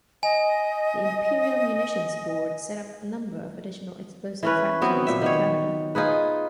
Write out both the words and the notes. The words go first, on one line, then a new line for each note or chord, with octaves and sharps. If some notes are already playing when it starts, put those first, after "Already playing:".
The Imperial Munitions Board set up a number of additional explosives factories in Canada.
D#5 G#5
E3 C#4 B4
F#3 B3 C4
A#2 E5
D#3 B3 C#5
D#4 F4 G#4 B4